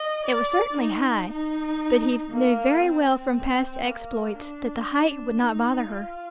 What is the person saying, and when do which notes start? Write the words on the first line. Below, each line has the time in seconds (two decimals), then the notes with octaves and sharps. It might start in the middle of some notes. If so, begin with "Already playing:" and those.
It was certainly high, but he knew very well from past exploits that the height would not bother her.
Already playing: D#5
0.25 D5
0.77 D#4
1.29 D#4
2.31 A#3
2.81 C4
3.34 C4
3.84 A#3
4.35 D4
4.87 D4
5.38 D#4
5.89 F4